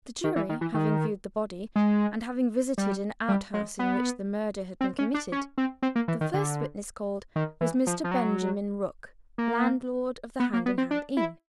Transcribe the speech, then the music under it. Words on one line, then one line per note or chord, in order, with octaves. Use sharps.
The jury having viewed the body, and having visited an outhouse in which the murder had been committed, the first witness called was Mr. Benjamin Rook, landlord of the Hand-in-Hand inn.
D#3
E3
D#3
E3
D#3
G#3
G3
G3
G#3
B3
C4
C#4
D4
C#4
C4
C4
A#3
E3
D#3
D3
D#3
E3
F3
F3
F#3
A#3
B3
A#3
B3
C4
D4
E4